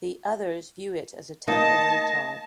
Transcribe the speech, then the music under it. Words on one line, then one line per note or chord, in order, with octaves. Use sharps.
The others view it as a temporary job.
A#3 D#4 D#5 A5 A#6